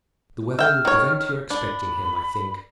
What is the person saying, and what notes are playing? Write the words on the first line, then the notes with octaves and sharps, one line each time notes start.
The weather will prevent your expecting him, I think.
E5 G5 F6
D#3 C#5
D4 B5